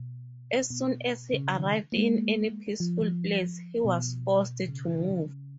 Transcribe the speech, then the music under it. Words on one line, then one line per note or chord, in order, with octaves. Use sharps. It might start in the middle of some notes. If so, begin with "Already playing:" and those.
As soon as he arrived in any peaceful place, he was forced to move.
Already playing: B2
B2
C#3
D#3
A#3
G#3
F3
F3
B2
C#3
D#3
C#3